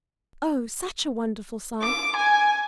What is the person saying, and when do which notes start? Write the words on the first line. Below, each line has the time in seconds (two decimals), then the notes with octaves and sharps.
Oh, such a wonderful sight!
1.83 D6
2.16 G#5